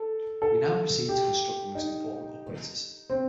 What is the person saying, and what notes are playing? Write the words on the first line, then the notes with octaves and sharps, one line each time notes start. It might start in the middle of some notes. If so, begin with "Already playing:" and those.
We now proceed to construct the most important operators.
Already playing: A4
A4
G4
D#4
C4